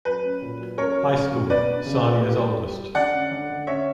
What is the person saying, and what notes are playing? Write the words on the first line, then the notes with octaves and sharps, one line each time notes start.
High School, Sarnia's oldest.
F#3 B4
C#4
A#2
F#3
C#4 A#4 C#5
F#3
C#4
B2
B3 B4 D5
D4
C#3
B3
G4
G3
G4
G4
D3 D5 F#5
C#4
D3
D3
C#4 C#5 E5